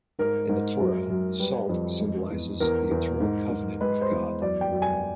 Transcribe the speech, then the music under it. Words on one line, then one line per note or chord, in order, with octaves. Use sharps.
In the Torah, salt symbolizes the eternal covenant with God.
G#2 A#4
G#2
F#2
F#2
G3 B4
F2
G#3
E2
E2 A#4
E2
G#2
G#2
G#3 B4
C5
E2
F#2 D5
G5
F#2
G#5